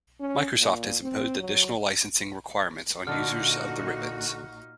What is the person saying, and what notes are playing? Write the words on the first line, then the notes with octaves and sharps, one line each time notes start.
Microsoft has imposed additional licensing requirements on users of the ribbons.
C#4
A#2
C4
F#3
A#2 D3 D#4 F#4 A4 D#5 F6